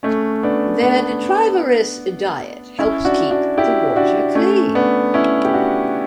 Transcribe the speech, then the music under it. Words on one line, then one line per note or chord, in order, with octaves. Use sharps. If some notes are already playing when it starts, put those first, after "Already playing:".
Their detrivorous diet helps keep the water clean.
A3 C#4
B3 D4
B3 D4
C#4 E4
D4 F#4
D4 F#4
E4 G4
D4 F#4
A3 C#4
B3 D4
C#4 E4
G4
D4 F#4